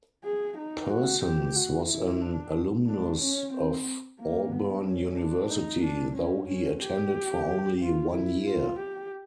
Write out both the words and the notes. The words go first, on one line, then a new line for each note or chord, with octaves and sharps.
Persons was an alumnus of Auburn University, though he attended for only one year.
G#4
D#4
F#4
G4
F#4
E4
D4
D4
C#4
C4
A#3
B3
C#4
D4
D#4
D4
C#4
C#4
G4
F4
E4
F4
G4